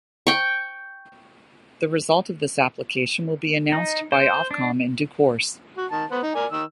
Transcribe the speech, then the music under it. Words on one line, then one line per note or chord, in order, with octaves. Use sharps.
The result of this application will be announced by Ofcom in due course.
G5 C#6
D#4
C5
D4
F#4
D#3 A5
B3 C5 F#5
D#4
A#4 D5 G#5
D#3 E6